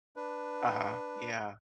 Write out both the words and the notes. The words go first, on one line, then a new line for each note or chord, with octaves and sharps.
Uh-huh, yeah.
D4 B4